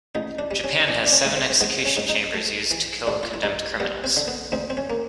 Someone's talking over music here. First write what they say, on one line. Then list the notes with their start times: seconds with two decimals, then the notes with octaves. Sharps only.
Japan has seven execution chambers used to kill condemned criminals.
0.15 A1 D#4
0.39 D4
0.51 G3
0.64 C#4
0.80 D#4
0.87 E3 D4
1.06 D4
1.12 C#4
1.25 G#2
1.37 C4
1.50 C4
1.61 G#2 B3
1.85 C#4
1.97 G#2
2.09 D#4
2.34 A3
2.71 E3
3.07 G2 D4
3.23 F4
3.34 E4
3.43 G2 D#4
3.80 G3 B3
4.04 C4
4.17 D3
4.28 B3
4.52 D2 C4
4.70 C4
4.77 C#4
4.90 A#3